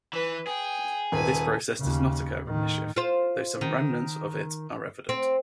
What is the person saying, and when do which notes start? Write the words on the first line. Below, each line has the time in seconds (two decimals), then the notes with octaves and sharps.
This process does not occur in Michif, though some remnants of it are evident.
0.13 E3 B4
0.47 G#4 G5
1.12 D#1 B4 G#5
1.78 D#2 C#3
2.43 A2 D#3
2.96 F4 C5
3.61 D#3
5.09 C4